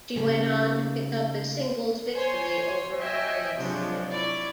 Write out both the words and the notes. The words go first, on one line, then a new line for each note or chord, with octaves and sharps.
She went on to pick up a singles victory over Maryse.
C#3 G3 A3 A#3 C#4 D#4
C5 C#5 G#5 C6
D#5 E5 G5 G#5
C3 F3 F#3 G#3 D4
E4 C#5 D5